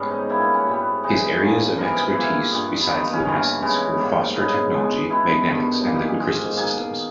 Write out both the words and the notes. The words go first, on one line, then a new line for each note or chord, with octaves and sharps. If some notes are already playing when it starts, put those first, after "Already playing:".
His areas of expertise, besides luminescence, were phosphor technology, magnetics and liquid crystal systems.
Already playing: G#2 G3 B3 C#4
D#4
A#2 G3 A#3 E4
B3
C#4
G#2 G3 B3
C#3 E3 G#3 D#4
G2 E3 A#3
G#2 E3 G3 B3 A#4
G#4
A#2 A#3 E4
G2 G3 B3
G2 G3 A#3 D#4
B3
C#4
G2 E3 A#3 C#4
C#3 G#3 B3
G#2 D#3 G3 A#3
C#3 G#3 B3 D#4
B2 G#3 B3
B2 G#3 B3 E4
G2 D#3 G3
A#2 A#3 D#4
G4
G#4
G#2 D#3 G#3
B2 A#3 G#4